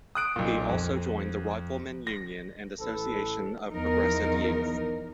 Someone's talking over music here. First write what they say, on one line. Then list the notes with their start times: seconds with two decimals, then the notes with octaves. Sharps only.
He also joined the Riflemen Union and "Association of Progressive Youth".
0.15 D#6 F#6 D7
0.36 B1 A#2
0.69 F2
2.07 A#6
2.80 A1 A4 B4
3.72 E2 F3 D#4 A#4